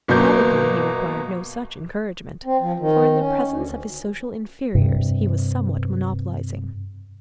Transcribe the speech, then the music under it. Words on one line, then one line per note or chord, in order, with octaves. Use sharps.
Probably he required no such encouragement, for in the presence of his social inferiors he was somewhat monopolizing.
G1 B2 F#3 A#3 G6
C4
F3
D#3
C#4
D2
G2 C3